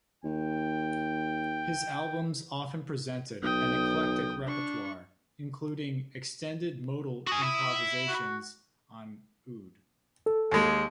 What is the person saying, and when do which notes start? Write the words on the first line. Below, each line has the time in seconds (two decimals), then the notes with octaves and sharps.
His albums often presented an eclectic repertoire including extended modal improvisations on oud.
0.24 D#2 G5
3.43 B1 G5 D#6
4.45 D4 C#6
7.27 F#4 G#5 D#6
7.43 E4
8.08 F#4
10.26 A4
10.51 D#2 G#3